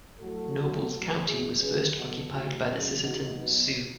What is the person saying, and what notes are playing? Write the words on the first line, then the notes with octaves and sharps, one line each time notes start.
Nobles County was first occupied by the Sisseton Sioux.
A2 F#3 F#4 A4
B2 F#3
A2 F#3
B2 F#3 E4 G#4
C#3 F#3 G#4 B4
B2 F#3 F#4 A4
A2 F#3 D#4 F#4
C#3 F#3
C#3 E3 D#4 F#4
B2 F#3 B3 D#4